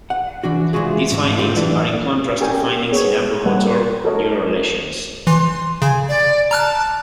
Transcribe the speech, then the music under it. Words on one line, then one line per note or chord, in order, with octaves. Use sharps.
These findings are in contrast to findings in upper motor neuron lesions.
F#5
E3 D4 F#4
E3 F#3 G#3 F4 F#4 G#4
D2 G#2
F4 G4 A4
F#2 A2 E3 D4
C#4 G4 A#4 G5 G#5
B3 G#4 C#5
G3 A#3 B4 F#5 G5
F#4 A4 A#4 C#5 D#5
E3 C6
C#3 G#5
D5
A5 A#5 F6 F#6